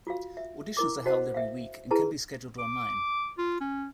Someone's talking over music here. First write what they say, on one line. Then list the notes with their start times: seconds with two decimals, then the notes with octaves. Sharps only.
Auditions are held every week and can be scheduled online.
0.07 F4 F#4 F5
0.37 E5
0.77 E4 A#4 D6
1.06 F#4 C5 D#5 F#5 A5
1.34 E5 F5
1.91 E4 G#4 B4 A5 A#5
2.58 D6
3.38 F4
3.61 C#4